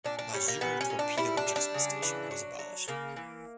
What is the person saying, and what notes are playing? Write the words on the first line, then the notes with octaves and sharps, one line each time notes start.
Maizuru torpedo adjustment station was abolished.
A#2 D4
D4
G3 C#4
A#3
A#2 B3
C#4
A#2
D4
G3 E4
D4
G3
D4
C#3
E3
F#3
F#3
C#3 A#3
E3